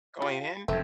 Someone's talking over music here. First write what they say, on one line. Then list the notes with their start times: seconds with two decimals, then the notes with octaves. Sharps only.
Going in?
0.22 F4 G4 F5
0.68 F1 F#2 A3 C4